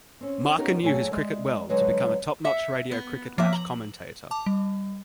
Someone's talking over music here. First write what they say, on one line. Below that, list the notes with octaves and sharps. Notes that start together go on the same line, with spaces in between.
Marker knew his cricket well to become a top-notch radio cricket match commentator.
C4 C#4
B3 C#4 D#4 G4 A#4
A#2 F#3 A3 G#4 G#5
G#3 D5 E5
D3 F#3 G#3 B4
E5 F#5
B3
F3 A#3 E5 D6
A#5 F#7
A5 D6
G3